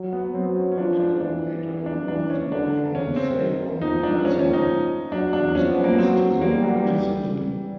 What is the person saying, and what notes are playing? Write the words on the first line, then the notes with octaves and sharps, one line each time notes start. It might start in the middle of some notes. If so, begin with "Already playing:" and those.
Mattel later removed the book from sale on Amazon in response to the criticism.
Already playing: F#3
B3
F#3 C4
C#4
C#4
F3 D4
D4
E3 D4
D4
E3 D4
C#4
D3 D4
C#3 C#4
C4
D#3
F3 D#4
D4
C#4
C#4
D#4
F#3 D4
D4
F3 C#4
B3
A#3
F#3 C4
G3 A#3
F#3
E3
G3